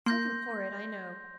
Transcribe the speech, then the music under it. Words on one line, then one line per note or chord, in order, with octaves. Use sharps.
Something horrid, I know.
A#3 C6 G6 A#6